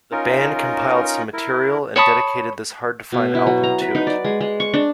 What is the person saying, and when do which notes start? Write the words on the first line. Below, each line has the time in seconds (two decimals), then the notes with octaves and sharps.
The band compiled some material and dedicated this hard-to-find album to it.
0.12 C#4 D#4 F4 A#4
1.33 E4 A#4
1.96 C#5 A5 B5 D#6
3.12 B2
3.35 E4
3.47 F#3
3.63 A#5
3.82 B4
3.95 D#4
4.07 D5
4.25 G#3
4.41 G#3
4.60 C#6
4.74 D4